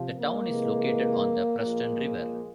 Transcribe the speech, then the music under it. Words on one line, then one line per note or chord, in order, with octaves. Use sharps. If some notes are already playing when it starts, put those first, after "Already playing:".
The town is located on the Preston River.
Already playing: C3 F3
A#3
C3 E3 G#3
A#2 F3 G#3 A#3
A#3